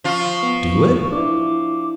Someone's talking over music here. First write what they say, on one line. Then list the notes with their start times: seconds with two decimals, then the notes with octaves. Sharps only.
Do it?
0.04 F3 F4 C#6
0.43 B3
1.12 D4 E4 D6